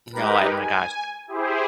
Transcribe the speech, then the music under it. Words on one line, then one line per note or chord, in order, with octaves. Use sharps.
No, I my gosh,
G#3 D#4 G4 A#4 B4
G#5
E4 G4 G#4 C5